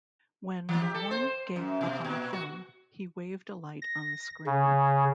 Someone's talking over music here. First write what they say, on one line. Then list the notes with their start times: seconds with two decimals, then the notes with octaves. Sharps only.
When one gave up on a film, he waved a light on the screen.
0.69 E3
0.82 G4
0.95 A4
1.11 C5
1.56 F#2
1.81 B2
2.05 A#2
2.33 F#4
3.82 A#6
4.46 C#3